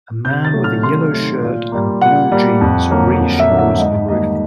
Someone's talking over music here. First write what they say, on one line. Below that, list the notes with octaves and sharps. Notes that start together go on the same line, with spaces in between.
A man with a yellow shirt and blue jeans re shingles a roof.
C3 G6
A6
D#3 F#3 A3
F6
C3 C6
D#3 F#3 A3
A#2
G3 A#3
A#2 F#5
G3 A#3
F2
D3 F#3 A#3
F2
E5
D3 F#3 A#3
E5
G#2 D#5
D#3 G3 A#3 D#5